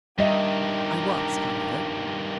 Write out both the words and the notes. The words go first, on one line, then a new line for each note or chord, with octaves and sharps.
I was, however.
G2 D#3 G3 G4 A#4 D#5 E5